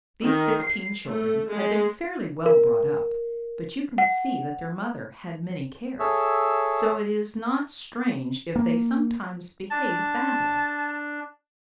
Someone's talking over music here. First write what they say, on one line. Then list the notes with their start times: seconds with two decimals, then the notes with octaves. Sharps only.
These fifteen children had been fairly well brought up, but you can see that their mother had many cares; so it is not strange if they sometimes behaved badly.
0.24 D#3
0.60 C7
1.07 A3
1.48 G#3
2.46 A#4
3.98 F#5
5.99 G#4 A4 C#5 E5
8.56 A#3
9.71 D4 A5